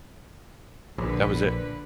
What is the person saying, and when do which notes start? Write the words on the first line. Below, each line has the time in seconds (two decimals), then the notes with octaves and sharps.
That was it.
0.98 A#1 D3 B4